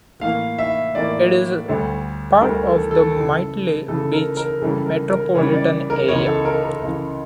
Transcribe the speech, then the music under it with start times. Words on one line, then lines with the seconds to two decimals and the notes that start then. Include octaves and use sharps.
It is part of the Myrtle Beach metropolitan area.
0.21 A2 E3 A#3 F5
0.59 E5
0.95 A2 E3 A#3 D5
1.68 D2 D3 G3 C#5
2.41 D2 D3 G3 A#4
2.66 A4
2.91 A4
3.15 C#3 E3 A3
3.88 C#3 E3 A3 A4
4.13 A#4
4.37 A#4
4.61 C#3 E3 G3 C#4 A4
4.86 A#4
5.10 A#4
5.34 C#3 E3 G3 C#4 C#5
5.53 D5
5.90 A#4
6.08 C#2 C#3 E3 C#5
6.26 A4
6.45 A#4
6.63 A#4
6.81 C#2 C#3 E3